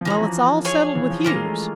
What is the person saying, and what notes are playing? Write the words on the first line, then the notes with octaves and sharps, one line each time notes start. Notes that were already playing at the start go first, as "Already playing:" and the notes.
"Well, it's all settled with Hughes."
F3
E3 A#3 C#4 F#4
F3
G#4 C#5 F5 G#5
E3
F3
E3 A#3 C#4 F4
G#3
A3